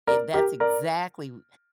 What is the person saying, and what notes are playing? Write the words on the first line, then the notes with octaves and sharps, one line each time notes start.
I that's exactly w
A#4 D5
G4 A#4
A#4 D5